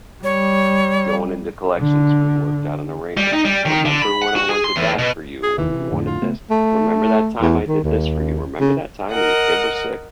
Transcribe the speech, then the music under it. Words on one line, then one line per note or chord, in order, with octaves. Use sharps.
going into collections, we worked out an arrangement. Remember when I went to bat for you when you wanted this? Remember that time I did this for you? Remember that time when your kid was sick
G3 C#5
D3
G3
D#4
G3
D#3
D3
B5
F#5
F#4
G#4
C6
E2
B2
G#4
F1 D#2 D#3 E3
C3
F2 A2 D3
F4
C#3 A3 B3
A3
E2
D#3
D#2
C#3
A#4 D#5 F#5